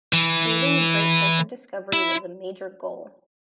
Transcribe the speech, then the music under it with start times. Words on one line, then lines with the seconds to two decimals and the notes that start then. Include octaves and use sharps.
Creating a great sense of discovery was a major goal.
0.13 E3
1.93 E4